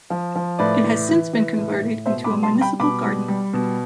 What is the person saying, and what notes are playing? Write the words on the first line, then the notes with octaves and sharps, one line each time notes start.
It has since been converted into a municipal garden.
F3
F3
A2 B4 D5
E3
E3
E3
A2
A2
B2 C5 E5
B5 D6
G3
A5 C6
G3
G5 B5
B2 B5 D6
G3
G3
B2